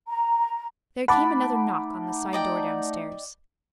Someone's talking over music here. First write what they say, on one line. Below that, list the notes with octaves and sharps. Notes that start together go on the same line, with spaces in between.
There came another knock on the side door downstairs.
A#5
A3 D#4 F#5 A5 B5 D6
D5 D#5 G5